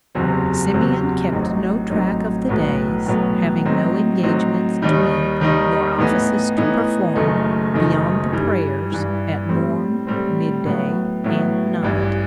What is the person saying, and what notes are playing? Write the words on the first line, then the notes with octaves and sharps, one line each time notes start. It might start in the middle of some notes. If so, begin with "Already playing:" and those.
Simeon kept no track of the days, having no engagements to meet, nor offices to perform, beyond the prayers at morn, midday and night.
F#1 E2 C3 F#3 C4
F#1 E2 C3 F#3 C4
A1 A2 F#3 C4 D#4
A1 A2 F#3 C4 D#4
B1 A2 F#3 B3
B1 A2 F#3 B3
A2 F#3 C4 D#4
A2 F#3 C4 D#4
D#2 D#3 G3 D#4
D#2 D#3 G3 D#4
A2 E3 B3 D#4
A2 E3 B3 D#4
F#1 F#2 D#3 A3 D#4
F#1 F#2 D#3 A3 D#4
G2 E3 G3
G2 E3 G3
A2 G3 C4
A2 G3 C4
A2 F#3 B3 E4
A2 F#3 B3 E4
A1 G2 E3